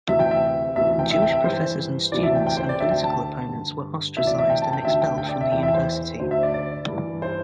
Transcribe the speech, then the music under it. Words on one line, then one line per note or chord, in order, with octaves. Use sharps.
Jewish professors and students and political opponents were ostracized and expelled from the university.
D2 C3 E3 E5
G5
E5
D2 C3 E3 E5
G5
E5
G5
E5
G2 E3 C5
D2 C3 E3 D5
E5
G5
G5
C5
D5
D2 D3 E5
G5
A5
G2 D3
D2 C3 E3 E5
D5
E5
G5
A5
G5
D2 D3 E5
G5
G5
D5
E5
E2 E3 G5
E5
C5
D2 D3 C5
E5
D5
D5
G2 E3
C5